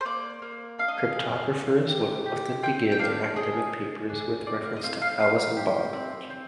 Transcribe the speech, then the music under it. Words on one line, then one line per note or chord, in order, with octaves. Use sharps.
Cryptographers would often begin their academic papers with reference to Alice and Bob.
C5
A#3 D5
A#3
D4 F5
D#5
F5
G#4
C4
G4
G4
C4 G5
G5
D4 F5
G#4 D#5
G#4
D4
C4 D5
F5
D#5
C4 F5
F5
D#4 F5
G4
C4
C4